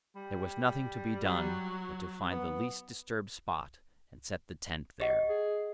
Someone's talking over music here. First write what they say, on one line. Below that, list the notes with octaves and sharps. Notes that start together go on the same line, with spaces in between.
There was nothing to be done but to find the least disturbed spot, and set the tent there.
G3
F#3
B3
G4 D#5 F#5
G#4